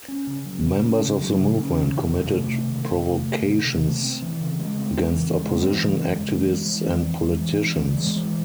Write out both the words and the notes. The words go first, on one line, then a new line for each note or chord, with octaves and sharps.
Members of the movement committed provocations against opposition activists and politicians.
C#4
C#3
F#3
C#3
C#4
C#3
F#3
C#3
C#4
C3
D#3
C3
A3
C3
D#3
C3
A3
C3
D#3
C3
A3
C4
E3
C#3
G#3
C4
E3
C#3
G#3
C4
E3
C#3
G#3
E3
G#3
E3
C4
E3
G#3
E3
C4
E3
G#3
E3